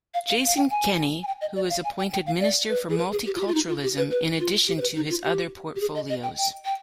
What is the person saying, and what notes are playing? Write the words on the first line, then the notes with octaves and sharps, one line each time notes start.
Jason Kenney who was appointed Minister for Multiculturalism in addition to his other portfolios.
F5
F5
F5
G5
G#5
G#5
G5
D#5
D5
F5
G#5
G5
G5
F5
D5
B4
G#4
B4
G#4
G4
F4
G4
F4
D#4
F4
G4
B4
B4
F4
G4
C5
B4
D#4
F4
G4
G4
G#4
D#5
D#5
G5
G5
G5